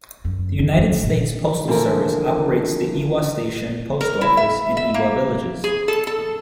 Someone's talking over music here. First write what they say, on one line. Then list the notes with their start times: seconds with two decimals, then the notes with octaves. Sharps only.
The United States Postal Service operates the Ewa Station Post Office in Ewa Villages.
0.25 F#2
0.59 D#3
0.78 G2
1.04 A#2
1.68 D3 E3 F3 A#3 A#4
4.01 A#4
4.21 E4
4.37 E5
4.77 E5
4.94 A#3
5.64 G#4
5.88 A4
6.07 A4